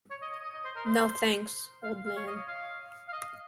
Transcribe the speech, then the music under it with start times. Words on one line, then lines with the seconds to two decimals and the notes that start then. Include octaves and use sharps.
No, thanks, old man.
0.11 C#5
0.22 D#5
0.32 D#5
0.43 D#5
0.54 D#5
0.65 C5
0.76 A#4
0.86 C5
1.83 F5
2.06 F5
2.16 C#5
2.27 D#5
2.48 F5
3.08 F5
3.13 D#5